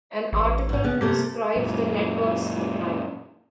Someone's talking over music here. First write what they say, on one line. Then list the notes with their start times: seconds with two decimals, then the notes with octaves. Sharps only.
An article describes the network's decline.
0.33 A1
0.69 G#2 B2
0.84 C#3 B3
1.01 C3 A3 A#3 G4
1.56 F#2 A#2